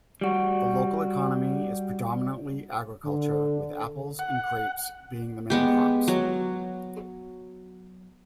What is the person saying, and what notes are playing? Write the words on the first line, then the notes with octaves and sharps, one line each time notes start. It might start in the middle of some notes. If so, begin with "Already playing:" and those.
The local economy is predominantly agricultural, with apples and grapes being the main crops.
G3 F#4
D3
F#5
G#3 B3 G4
F#3